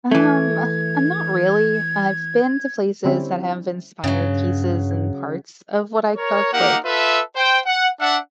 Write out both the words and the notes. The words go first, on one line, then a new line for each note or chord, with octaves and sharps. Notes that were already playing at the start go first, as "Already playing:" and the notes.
Um, uh, not really. I've been to places that have inspired pieces and parts of what I cook, like,
E3 A3 G#6
D3 G3 C4 C#4 E4
G2 C#3 F#3
A#4 C#5
A#3 D#4 G4 A#4 F#5
F4 A4 B4 E5
C5 G5
F#5
D4 D5 E5 F#5